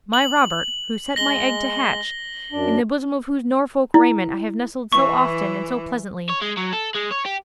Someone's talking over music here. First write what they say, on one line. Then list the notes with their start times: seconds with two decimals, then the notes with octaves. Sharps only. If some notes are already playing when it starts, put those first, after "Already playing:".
My Robert--who set my egg to hatch--in the bosom of whose Norfolk raiment I have nestled so often and so pleasantly!
0.13 F#7
1.16 G#3 A#6 G7
2.52 F#2 D4
3.94 E4
4.93 E3 C#6
6.29 C#5
6.41 G#3
6.57 F#3
6.73 A4
6.95 G#3
7.11 C#5
7.25 G4